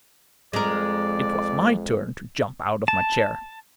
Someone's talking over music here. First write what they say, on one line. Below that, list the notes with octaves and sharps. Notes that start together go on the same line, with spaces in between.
It was my turn to jump out of my chair.
F2 G#3 A#4 D5
A5